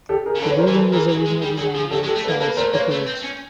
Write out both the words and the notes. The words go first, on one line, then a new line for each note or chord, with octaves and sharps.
The building was originally designed by Charles Buckeridge.
G4 A4
G#4 A#4
C#3
D3 A4 B4
C#5
A#4 C5
E3
A4 B4
E3 G#4 A#4
F#3
G#4
G#3
G3 G#4
F#3 G#4
F3 G#4
F#3 G4 A4
G#3
G4 A4
A3
A4 B4
A#3
A#3 A4 B4
A3 A#4 C5
A#3 B4 C#5
A3
C4
C#4